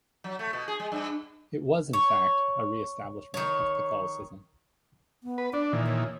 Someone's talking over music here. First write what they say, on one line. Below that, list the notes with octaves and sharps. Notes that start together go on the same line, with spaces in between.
It was in fact a re-establishment of Catholicism.
F#3
A3
B2
G#4
G#3
G2
C#5
D#3 C#5
B3
B4
D4 D5
A#2 D#3 E3
C#5